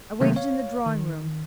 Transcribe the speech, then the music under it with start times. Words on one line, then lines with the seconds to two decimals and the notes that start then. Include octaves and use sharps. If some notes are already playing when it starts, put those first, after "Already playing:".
I waited in the drawing-room.
0.20 C3 D#3 F#3 A3 A#3 C4
0.36 C#5 F5
0.86 D#3